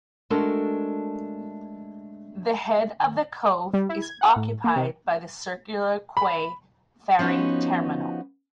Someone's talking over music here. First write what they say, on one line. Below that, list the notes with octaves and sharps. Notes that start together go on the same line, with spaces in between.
The head of the cove is occupied by the Circular Quay ferry terminal.
G#3 A3 D4 F#4 A4 A#4
G3
E4
G#6
F#5
A2
A#3
C3
B5
F3 B3 C#4 D#4 F#4